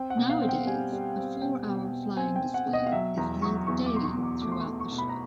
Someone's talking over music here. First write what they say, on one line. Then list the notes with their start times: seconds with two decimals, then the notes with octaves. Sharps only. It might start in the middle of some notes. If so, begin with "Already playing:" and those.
Nowadays, a four-hour flying display is held daily throughout the show.
Already playing: C4 G5
0.10 F#5
0.17 B2
0.30 F5
0.42 C4
0.49 G5
0.67 G3 G#5
0.93 G3
1.17 C4
1.42 B2 G5
1.67 B2
1.93 B2
2.17 C4 G#5
2.36 G5
2.42 C4
2.54 F#5
2.67 B2
2.73 D#5
2.86 F5
2.92 F#3 E5
3.17 E2 A#5
3.42 F#3 C#6
3.67 E2 C#6
3.86 D6
3.93 B2 C6
4.04 C#6
4.17 E2
4.23 D6
4.42 A3 D6
4.52 C6
4.61 C#6
4.67 A3
4.80 C#6
4.92 B2
4.98 B5
5.09 A#5